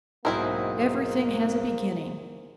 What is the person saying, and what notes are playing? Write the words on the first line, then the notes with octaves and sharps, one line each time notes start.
Everything has a beginning.
B1 G#2 A#3 C4 E4 G#4 A#4 C5